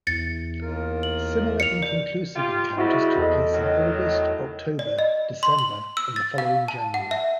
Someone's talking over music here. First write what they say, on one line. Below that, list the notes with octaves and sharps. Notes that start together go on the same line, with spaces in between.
Similar inconclusive encounters took place in August, October, December, and the following January.
E2 A6 C#7
D#2 F4 A#4
F#7
C#7 F7
D5
F4 G4
G3 G#3 C4 E4 F#4 E5
E2 A4 D#5
A2 D#3 F#3
D5
D#5
C6
F#7
E6
A6
F5
A5
F#5
E5